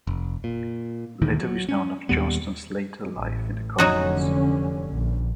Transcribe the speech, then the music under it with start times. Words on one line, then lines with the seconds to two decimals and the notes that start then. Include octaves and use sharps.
Little is known of Johnston's later life in the colonies.
0.07 F1
0.44 A#2
1.22 D2 A#2 D#3 E3
1.41 F#3
1.69 C#4
2.09 D#2 A#2 G3 B3
3.16 A1
3.78 F1 D3 F#3 C#4 D#4 F#4
4.92 A#1